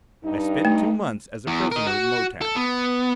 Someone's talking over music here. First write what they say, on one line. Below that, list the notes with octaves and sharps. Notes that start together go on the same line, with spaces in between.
I spent two months as a prisoner in Lo-Tan.
G2 D#4
A3
E2
A#4 D#5
F#4
A4
B3